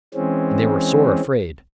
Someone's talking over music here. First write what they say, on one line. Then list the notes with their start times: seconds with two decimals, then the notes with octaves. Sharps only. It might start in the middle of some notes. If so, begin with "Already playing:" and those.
And they were sore afraid.
0.14 E3 G#3 C4 C#4